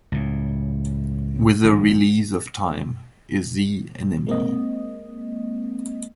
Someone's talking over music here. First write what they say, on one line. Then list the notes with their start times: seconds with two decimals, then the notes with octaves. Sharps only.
With the release of Time Is Thee Enemy!
0.12 C#2 A2
1.64 A#1 G#2 D#3 G#3
4.27 G#3 A#3 C4 D#5